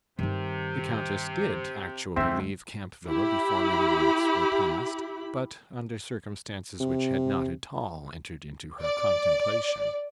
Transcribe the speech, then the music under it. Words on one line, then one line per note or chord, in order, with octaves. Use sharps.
The Countess did actually leave Camp Villa before many months were past, but under circumstances which had not at all entered into her contemplation.
G2 C3 D#3
D2 G#2 G#3 C4 E5
E4 G4 B5
C3
D5